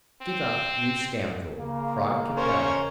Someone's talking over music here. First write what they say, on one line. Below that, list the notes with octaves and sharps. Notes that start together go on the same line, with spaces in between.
"Give up, you scoundrel!" cried Capel.
C4
C#3 A#3
C#4 A#4 C5 C#6